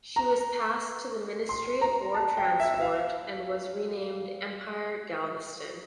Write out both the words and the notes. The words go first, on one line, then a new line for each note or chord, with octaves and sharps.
She was passed to the Ministry of War Transport and was renamed "Empire Galveston".
A#5
C6
A#5
A5
G5
E5
E5
F5